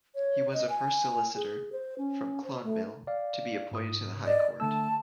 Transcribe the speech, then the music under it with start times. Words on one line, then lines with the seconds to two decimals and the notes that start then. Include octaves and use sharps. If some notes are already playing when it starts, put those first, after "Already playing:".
He was the first solicitor from Clonmel to be appointed to the High Court.
0.15 C#5
0.53 D#5
0.69 G#5
1.36 G#4
1.72 C5
1.98 C#4
2.44 C5
2.64 A3
3.07 D5 F5
3.72 G#2 D#6
4.26 D5 D#5
4.60 D3 A3 A5 E6